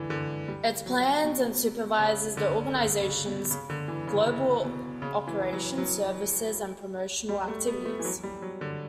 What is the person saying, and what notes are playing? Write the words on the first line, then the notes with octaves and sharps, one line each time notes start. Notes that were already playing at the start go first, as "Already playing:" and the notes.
It plans and supervises the organisation's global operations, services and promotional activities.
Already playing: D3 E3
D3
G3
F#3
B2
C#3
D3
D3
C#3
B2
C#3
D3
E3
C#3
C#3
B2
C#3
E3
F#3
F#3
G3
A3
B3
A3
E3
F#3
G3
F#3
D3